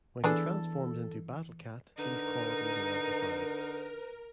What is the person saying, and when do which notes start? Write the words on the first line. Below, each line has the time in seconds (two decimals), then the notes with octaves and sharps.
When he transforms into Battle Cat, these qualities are amplified.
0.24 E3 B3 D4 G#4 A4
1.98 D3 D#4 A#4 B4